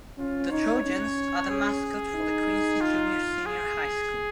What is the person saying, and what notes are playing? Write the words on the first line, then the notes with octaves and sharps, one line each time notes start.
The 'Trojans' are the mascot for the Quincy Junior-Senior High School.
C#4 F4
D#4 C#5
C#4
G#4
D#4
F4
G#4